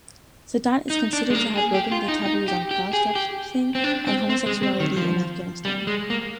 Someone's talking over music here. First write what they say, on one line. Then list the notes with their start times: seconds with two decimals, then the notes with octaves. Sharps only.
Sadat is considered to have broken the taboos on cross-dressing and homosexuality in Afghanistan.
0.90 D#4
1.13 D4
1.30 G#3
1.35 A#3
1.57 G#4
1.74 G4
1.92 F4
2.08 D#4
2.25 D#4
2.48 G4
2.71 G4
2.93 G#4
3.15 G4
3.75 C4
3.84 D4
4.07 C4
4.29 C4
4.46 G#3
4.63 C4
4.80 D#3
4.96 F3
5.65 G3
5.87 G#3
6.10 A#3